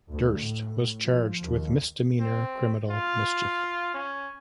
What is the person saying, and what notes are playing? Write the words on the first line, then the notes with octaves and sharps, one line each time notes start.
Durst was charged with misdemeanor criminal mischief.
D2
A2
F3
D#2
C4
F4
C#4